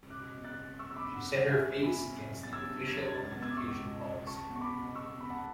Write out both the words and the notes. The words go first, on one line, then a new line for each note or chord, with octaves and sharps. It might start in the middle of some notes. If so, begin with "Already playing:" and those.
She set her face against the official education policy.
B2 D6 F#6
B3
F#6 A6
B3
B3 C#6 E6
E6
B5 D6
D4
F#5
F#3
F#5
B2 E5 G#5
B3
G#5 B5
B2
F#3
B3 A6
E6 G#6
D4
F#3 G#6
A6
G#6
C#2 A6
G#6
B3 A6
E6 G#6
D6
C#2 C#6 E6
B2
C#2
C#2 A5 C#6
B3
C#6
B5 D6
B2
B3 C#6 E6
C#2 B5
F#5 A5